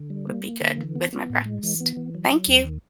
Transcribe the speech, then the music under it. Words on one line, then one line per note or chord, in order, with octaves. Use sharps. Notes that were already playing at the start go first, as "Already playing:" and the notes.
would be good with my breakfast. Thank you.
Already playing: D3
G3
A#3
A#3
D3
E3
B3
B3
A2
G#3
E3
B3
E3
F#3
F#3
D#2
D#3